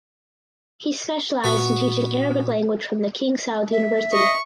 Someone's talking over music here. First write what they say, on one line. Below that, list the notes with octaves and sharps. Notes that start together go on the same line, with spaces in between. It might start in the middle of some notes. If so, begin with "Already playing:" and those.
He specialized in teaching Arabic language from the King Saud University.
A#2 B3 F#4
E5
D#5 C#6